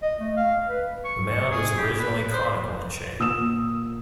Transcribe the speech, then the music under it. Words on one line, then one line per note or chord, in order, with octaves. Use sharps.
The mound was originally conical in shape.
D#5
A3
F5
B4
C#6
C#6
G#4
G4
B4
C5
A#2 D#6 E6 E7